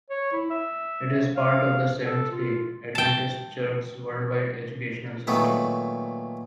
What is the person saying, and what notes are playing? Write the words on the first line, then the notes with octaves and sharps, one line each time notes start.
It is part of the Seventh-day Adventist Church's worldwide educational system.
C#5
E4
E5
F5
A4
F4
G5 A5
A#2 D#3 F#3 A3 B3